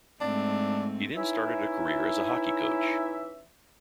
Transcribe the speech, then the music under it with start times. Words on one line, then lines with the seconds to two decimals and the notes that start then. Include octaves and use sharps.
He then started a career as a hockey coach.
0.21 G#2 A3 C4 D4
1.16 E3 C#4 D#4 E4 E5